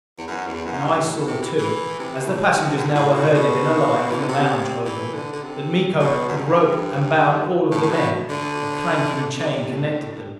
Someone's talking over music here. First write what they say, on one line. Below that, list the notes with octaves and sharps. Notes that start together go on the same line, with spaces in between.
And I saw too, as the passengers now were herded in a line from the lounge oval, that Miko had roped and bound all of the men, a clanking chain connected them.
E2
F#2
E2
F#2
G2
A2
B2
C3
E3
E3
C3
B2
A2
G2
F#2
G2
A2
B2
A2
B2
E3
D3
C3
E3
D3
D3
C3
B2
F#2
G2
F#2
G2
A2
A2
B2
D3
D3
C3
A2
A2
G2